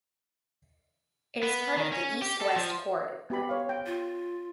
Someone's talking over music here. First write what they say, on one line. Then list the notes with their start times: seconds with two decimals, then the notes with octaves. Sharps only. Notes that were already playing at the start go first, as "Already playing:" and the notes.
It is part of the "East-West Corridor".
1.43 B3
1.77 D#3
1.92 C#4
2.22 G4
2.41 A4
2.56 F3
3.30 B3 G4 B5
3.49 C#5 F5
3.69 G5
3.86 F4